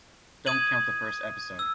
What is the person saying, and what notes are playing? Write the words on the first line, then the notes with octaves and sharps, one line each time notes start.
Don't count the first episode.
D#6 G#6 D#7 F#7
E6